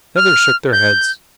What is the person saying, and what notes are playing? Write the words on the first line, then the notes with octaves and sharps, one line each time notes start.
The others shook their heads.
F6
G6